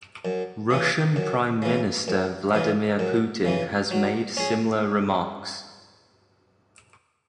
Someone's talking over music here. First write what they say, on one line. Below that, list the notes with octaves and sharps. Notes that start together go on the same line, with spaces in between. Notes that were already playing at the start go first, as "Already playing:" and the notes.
Russian Prime Minister Vladimir Putin has made similar remarks.
F#2
C#3 E3
F#2
C#3 E3
F#2
C#3 E3
F#2
C#3 E3
F#3
C#4 G#4